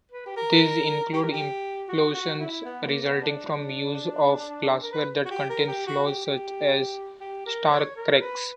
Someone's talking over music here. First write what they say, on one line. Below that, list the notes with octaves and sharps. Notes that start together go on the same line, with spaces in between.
These include implosions resulting from use of glassware that contains flaws, such as star-cracks.
B4
G4
A#4
G4
A#4
G4
F#4
F#4
E4
B3
A#3
B3
D4
A#4
B4
F#4
G4
A#4
G4
F#4
G4
G4
G4
A#4
C#5
A#4
B4